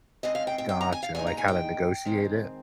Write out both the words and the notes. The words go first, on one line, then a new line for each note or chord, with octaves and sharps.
Gotcha. Like how to negotiate it?
C#3 G#3 C4 D#5
F5
G5
G5
G5
A#5
G#5
F5
A#2 G#3 D#4 G#5
A#5
G#5
G5
D#3 G#3 C4